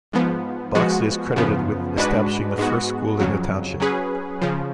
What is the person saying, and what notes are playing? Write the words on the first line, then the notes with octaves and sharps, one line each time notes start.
Boxley is credited with establishing the first school in the township.
G#2 F3 B3
F3 G#3 B3 F#4
F#2 C#3 F3 B3
G#2 G#3 D4 F#4 B4
G#2 G#3 B3 F#4
F2 C#3 F#3
F#3 C#4 G#4 B4
C#3 F3